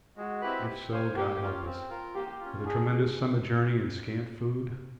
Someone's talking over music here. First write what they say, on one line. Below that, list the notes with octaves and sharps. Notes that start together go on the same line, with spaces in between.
If so, God help us, with the tremendous summit journey and scant food.
G#3 F#4
C4 E4 G4 B4
G4
C5 F5 G#5
A#3 G4
C#4 F4
C4
F4 A#4
A#3 G4
C#4 F4
D4 G#4